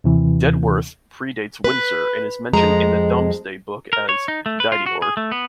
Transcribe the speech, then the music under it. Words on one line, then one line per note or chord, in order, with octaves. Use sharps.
Dedworth predates Windsor and is mentioned in the Domesday Book as "Dideorde".
D#2 C3 E3
B4
F2 G#3 A#5
A#4
C#5
D#4
A3
B4
F4
F#4
G#4
A3
B3